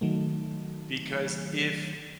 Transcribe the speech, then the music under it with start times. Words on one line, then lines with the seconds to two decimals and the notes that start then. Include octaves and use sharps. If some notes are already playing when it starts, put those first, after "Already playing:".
Because if
0.01 D#3 F#3 A3